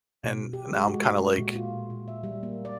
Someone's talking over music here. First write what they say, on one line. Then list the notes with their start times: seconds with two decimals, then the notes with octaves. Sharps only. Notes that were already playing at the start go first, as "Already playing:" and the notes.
and now I'm kinda like,
0.24 B2
0.53 G4
0.74 G#3
0.88 F#4
1.02 A3
1.38 A#2
1.56 F4
1.90 A#2
2.08 E5
2.24 G3
2.43 A#3
2.65 D5